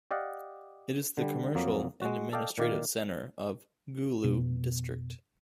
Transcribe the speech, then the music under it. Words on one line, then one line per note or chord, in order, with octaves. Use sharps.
It is the commercial and administrative centre of Gulu District.
G4 D5 D#5 F5 F#5
D3 G3
F2 F#3 A#3
G#3 F#4
A4 D5 D#5 F5 G5
A#2 D#3 D5 F5
F1 B2